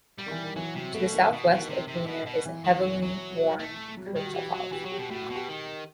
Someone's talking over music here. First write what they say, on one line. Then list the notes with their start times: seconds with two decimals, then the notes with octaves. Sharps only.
To the southwest of Wiener is the heavily worn Kurchatov.
0.18 G3
0.26 D#3
0.31 E3
0.43 D#3
0.56 E3 F#3
0.75 C3 F#3
0.94 B2 A3
1.13 D#3
1.32 B2
1.44 E3
1.51 B2
1.57 D#3
1.70 C3
1.88 C3
2.07 B2
2.27 B2
2.46 E3
2.65 D#3
2.83 F#3
3.03 F#3
3.59 A3
3.97 F#3
4.06 G3
4.16 D#3 G4
4.26 F#4
4.35 E3 G4
4.53 F#3 F#4
4.72 E3 G4
4.85 F#3
4.92 G4
4.98 B2
5.10 A2 F#4
5.23 F#4
5.30 B2
5.36 G4
5.48 D#3